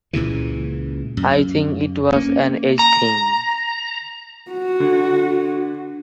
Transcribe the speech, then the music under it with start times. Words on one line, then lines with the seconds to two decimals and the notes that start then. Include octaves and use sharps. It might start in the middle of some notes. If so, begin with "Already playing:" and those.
I think it was an age thing.
0.13 C#2 A#2 C#3 E3
1.17 F#2
2.12 A#3 C#4
2.79 A#5
4.51 F#4
4.80 D3